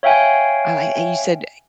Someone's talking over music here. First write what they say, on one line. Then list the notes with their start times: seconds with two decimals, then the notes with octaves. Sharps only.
I like and you said
0.03 C#5 E5 F5 G5 G#5